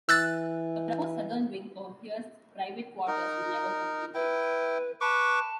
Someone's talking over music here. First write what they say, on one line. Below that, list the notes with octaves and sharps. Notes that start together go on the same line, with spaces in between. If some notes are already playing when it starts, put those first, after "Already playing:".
A proposed southern wing for Hearst's private quarters was never completed.
E3 E6 F#6 A6
D#4 A#4
E4 B4 G5
B4 A5 C#6 D6